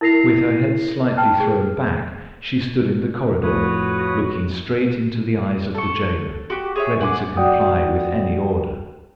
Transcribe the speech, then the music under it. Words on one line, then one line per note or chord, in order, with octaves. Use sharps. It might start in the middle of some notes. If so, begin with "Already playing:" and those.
With her head slightly thrown back, she stood in the corridor, looking straight into the eyes of the jailer, ready to comply with any order.
E4 A#4 A#6 C7 F7
G5 A5 F6
G#4
F2 A2 F#4 B4 C#5 D#6
A4 C#6
F#4 G4
G#4 C#5 E5
F#5 G#5 C6 D6
F#4 D5 F#5 G5 D#6